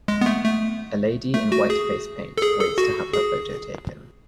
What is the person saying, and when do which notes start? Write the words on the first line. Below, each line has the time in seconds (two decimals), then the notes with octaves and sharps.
A lady in white face paint waits to have her photo taken.
0.08 G#3
0.21 B3
0.26 A3
0.44 A3
1.34 A3
1.52 F#4
1.70 G#4
2.37 A4
2.42 G#4
2.60 A4
2.78 F#4
3.13 G#4